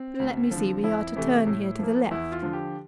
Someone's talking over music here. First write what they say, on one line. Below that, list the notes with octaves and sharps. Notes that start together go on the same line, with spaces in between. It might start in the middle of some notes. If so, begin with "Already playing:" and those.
Let me see;--we are to turn here to the left.
Already playing: C4
D2
D3 F3
F2 E4
C3 E3 A3
A2
F3 A#3
E2 E4
F4
D3 F3
G4